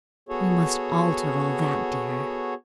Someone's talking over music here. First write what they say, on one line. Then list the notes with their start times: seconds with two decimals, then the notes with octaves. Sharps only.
We must alter all that, dear.
0.29 B3 F#4 G#4 A4 C#5